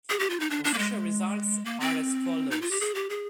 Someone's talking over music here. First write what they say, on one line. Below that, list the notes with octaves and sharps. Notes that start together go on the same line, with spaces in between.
Official results are as follows.
G#4
G4
F4
D#4
D4
D4
A#3
G#3
A#3
C4
D#4
F4
G4
G#4
G4
G#4